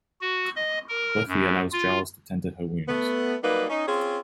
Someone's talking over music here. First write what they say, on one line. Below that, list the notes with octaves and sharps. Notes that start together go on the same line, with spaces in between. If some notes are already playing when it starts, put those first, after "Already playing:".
Buffy allows Giles to tend her wounds.
F#4
D#5
A#4
F#2
F4
A3 B3
F#3 G3 A#3 D#4 B4
C#4 D#4
C4 C#4 F4 G#4